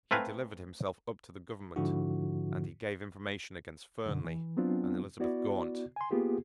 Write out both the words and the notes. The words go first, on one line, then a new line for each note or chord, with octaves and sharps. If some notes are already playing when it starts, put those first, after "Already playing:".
He delivered himself up to the government; and he gave information against Fernley and Elizabeth Gaunt.
A3 C4 A#4 B4 F5 G#5
G#2 D3 F3 D4 E4 F#4
F#2 B2 D3
E3
F#3 B3 C4 D4 F4
B3 E4 F#4 D5
G#5 C6
A#3 B3 F4 G4 G#4